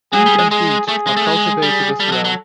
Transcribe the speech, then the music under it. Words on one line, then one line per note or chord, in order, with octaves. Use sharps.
Beet and wheat are cultivated as well.
F#3 G#4
G3
G#3
G#3 G#4
A3 G#4
G#3
A3
G#3
G3
G3 A4
F3
F#3
F#3